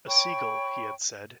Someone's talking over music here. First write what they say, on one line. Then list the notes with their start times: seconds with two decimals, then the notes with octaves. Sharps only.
A seagull, he had said.
0.07 C#5 G5 B5 C#6